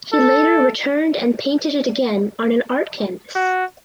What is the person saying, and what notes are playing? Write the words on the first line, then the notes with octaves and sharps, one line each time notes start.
He later returned and painted it again on an art canvas.
A4
F#4